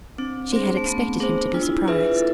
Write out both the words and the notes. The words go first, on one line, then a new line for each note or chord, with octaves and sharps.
She had expected him to be surprised.
C4 D4
C4 G#4 C5
A3
B3 C4
D4 G#4 C5
D4 F4
E4
F4
F4 G#4 B4 E5
A4